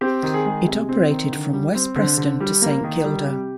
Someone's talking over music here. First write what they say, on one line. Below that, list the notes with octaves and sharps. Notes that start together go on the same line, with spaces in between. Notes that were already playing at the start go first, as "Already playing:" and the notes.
It operated from West Preston to Saint Kilda.
C4 G4
D#3
G#4
G#3
C3
C4
D#3
D3
G3
C4
D3 C5
D3
G3
A#3
D#3
G3
C3 G4